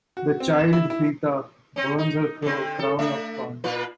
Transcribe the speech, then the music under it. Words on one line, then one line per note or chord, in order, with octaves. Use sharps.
The child, Rita, burns her crown of thorns.
F#4
C4
E7
E4
E4
C4 C#4
D#4
D3 C4
A4
A3 D4 E5
A#2 F4 B4